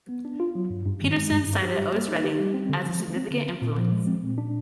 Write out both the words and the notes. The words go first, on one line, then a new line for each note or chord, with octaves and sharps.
Peterson cited Otis Redding as a significant influence.
B3
D4
F4
F#3
G2
G2
D#3
G#3
G2
G2
G4
G3
A#3
D#4
G4
G3
C4
D3
F3
A3
C4
D3
C4
A#2
F3
G#3
C4
A#2
D4